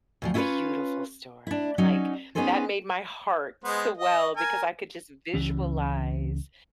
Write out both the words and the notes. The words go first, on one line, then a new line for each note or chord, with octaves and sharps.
beautiful story. Like, that made my heart swell because I could just visualize,
D2 D3 F3
C#4 E4 F4 G#4 B4 C#5
D4 E4
F#3 C#4 D#4
B3 C#4 D#4 G#4 A4 C5
G#3 B3 C5
D#5
A#4 G#5
C#2 E3 C#4